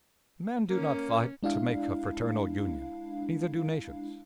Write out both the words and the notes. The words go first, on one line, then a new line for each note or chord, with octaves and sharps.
Men do not fight to make a fraternal union, neither do nations.
A#3 C#4
G#3 D4 E4 F5